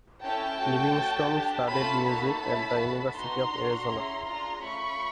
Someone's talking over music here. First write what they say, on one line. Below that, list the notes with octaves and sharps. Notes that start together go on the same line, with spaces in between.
Livingston studied music at the University of Arizona.
C#4 E4 A4 G5 A5
A3 C#4 F#4 A4
C#4 F#4 A4
D4 G4
A3 C#4 F4 A5 B5
A#3 D#4 F#4 A4 A5 B5
A3 C#4 E4
D4 F#4 A4
B3 D#4 F#4 A#5 C6
D4 F#4 A4
C#4 E4 G#4
D4 F4 G#4 A#5 C6
A3 C#4 F4 B5 C#6